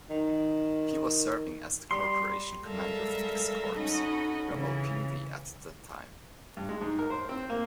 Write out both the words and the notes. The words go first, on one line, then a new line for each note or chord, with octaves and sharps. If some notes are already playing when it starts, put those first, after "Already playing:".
He was serving as the Corporation Commander of X Corps, Rawalpindi at that time.
D#3
G3 C6
G3 G#3 A4 A#4 E5 F5
C#4 D#4 F#4 A4 D#5 B5
C#3 E3
G2
G#3
G#2
A#4
C5
C4
A#3